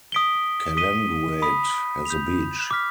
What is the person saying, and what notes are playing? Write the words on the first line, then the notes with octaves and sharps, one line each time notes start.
Calanguate has a beach.
D#6 B6 D7 G7
D#6 B6 D#7 G7
B5 D#6 B6
G6 B6 F7
D6 F6 B6